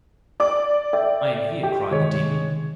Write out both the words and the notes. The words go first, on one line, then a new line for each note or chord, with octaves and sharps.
"I am here!" cried the demon.
D5 D6
A4 D5 E5 G5
G4
C3 D#3 G#3 C#5